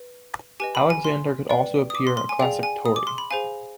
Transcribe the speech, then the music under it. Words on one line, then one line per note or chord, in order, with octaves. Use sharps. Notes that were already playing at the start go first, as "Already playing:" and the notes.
Alexander could also appear a classic Tory.
Already playing: B4
G4 B4 D#5 G#5
B5
G#5
C6
B4 D5 G5
D#6
D6
C6
C6
G#5
G#4 D5 F5 G5
G#5
D#6
D6
C6
B5
G#4 C5 F5 G#5